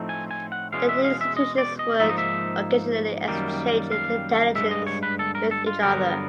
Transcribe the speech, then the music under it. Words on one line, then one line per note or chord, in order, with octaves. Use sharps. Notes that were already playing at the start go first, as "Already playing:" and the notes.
The two institutions would occasionally exchange intelligence with each other.
Already playing: A2 F3 A3 C4 D#4
G#5
G#5
F#5
E2 B2 G#3 C#4 F5
E5
F5
E5
D#5
D5
D#5
G#2 F3 A#3 D#4 E5
D#5
E5
F#2 D#3 G3 A#3
F5
G2 D#3 G#3 E5
D#5
C#5
B4
A4
A#4
A4
F4
G2 D3 F#3 B3 A#4